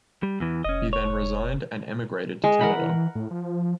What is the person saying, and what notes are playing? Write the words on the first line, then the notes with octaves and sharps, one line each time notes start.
He then resigned and emigrated to Canada.
G3
E2 E3
F1 C#4 D#5
C#5
G#3
E3 A#4 F#5 B5
A2
F3